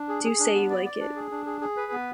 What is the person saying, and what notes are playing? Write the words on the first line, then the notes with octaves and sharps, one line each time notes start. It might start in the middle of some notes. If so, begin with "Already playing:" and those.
Do say you like it.
Already playing: D4
G#4
G#4
D4
B3
D5
D5
D4
G#4
D4
G#4
G#4
B4
B3